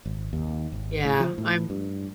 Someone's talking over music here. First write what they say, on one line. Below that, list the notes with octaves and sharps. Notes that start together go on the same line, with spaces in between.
Yeah. I'm
G#1
D#2
G#1
A2
F3
A2
G2